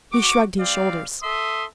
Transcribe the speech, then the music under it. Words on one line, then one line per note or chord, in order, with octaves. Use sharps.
He shrugged his shoulders.
F#4 C#6 D6
G3 C4 D5 F5
A4 E5 C6 D#6